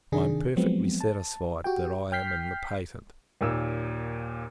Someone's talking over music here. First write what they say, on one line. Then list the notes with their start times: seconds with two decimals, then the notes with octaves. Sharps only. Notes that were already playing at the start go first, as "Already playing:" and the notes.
I am perfectly satisfied, that I am in the patent.
0.12 C3 D#3 D4 G#4
0.56 F3 F#3 G#3 B3 C4
1.01 A5
1.64 F#4 G4 G5
2.12 G5 F6 G6 B6 C7
3.41 D#2 A#2 E6